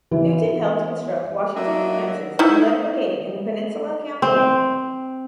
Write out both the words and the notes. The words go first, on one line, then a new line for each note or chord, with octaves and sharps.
Newton helped construct Washington defenses and led a brigade in the Peninsula Campaign.
E3
F#3 A#3 D4 D#5 E5
D#4 E4
C4